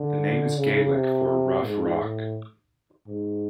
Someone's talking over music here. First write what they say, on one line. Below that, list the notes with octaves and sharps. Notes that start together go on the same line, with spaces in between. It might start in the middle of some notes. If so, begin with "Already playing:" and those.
The name is Gaelic for "rough rock".
Already playing: D3
C#3
C3
G#2
A2
G#2